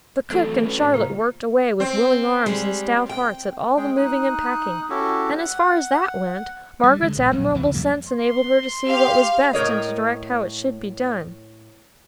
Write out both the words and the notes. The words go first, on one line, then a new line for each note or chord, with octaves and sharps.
The cook and Charlotte worked away with willing arms and stout hearts at all the moving and packing; and as far as that went, Margaret's admirable sense enabled her to see what was best, and to direct how it should be done.
E3 F#3 A3 C4 A4
C#4 F#4 B4
A2
C#3 A#3 F4 C5
C4
G3 G#3
G5
G#3 G#4 G5
D#4 D#6 F#6
C#4 E4 F#4 G4 A4
F#5
G3
D3 G#3
A#1
D1 A#1 B2 F#3
D#2 C#3 E3
E2 F#3 G3 A#3
C6
G4 F5
A2 A#4 C#5 D#5